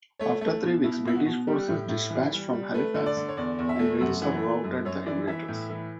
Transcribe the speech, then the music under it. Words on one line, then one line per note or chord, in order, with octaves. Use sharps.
After three weeks, British forces dispatched from Halifax and Windsor routed the invaders.
A3 C#5
A3
B2
B2 E4
B2 E4
F#4
B2
G3 G4
A2
A2
E3
G3
G3
A3 B4
D3
D5
D3
C#5
E2 D5
E2
E5
A3
F#2 F#5
E3 F#5
A3
F#2
F#2 C#5
E3 D5
E3 E5
A2
E3